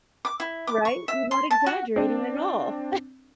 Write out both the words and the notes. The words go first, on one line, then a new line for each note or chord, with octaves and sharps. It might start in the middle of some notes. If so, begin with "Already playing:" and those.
Right? You weren't exaggerating at all.
D6
E4
D6
C#6
E5
C6
A5
F#4
C4 D4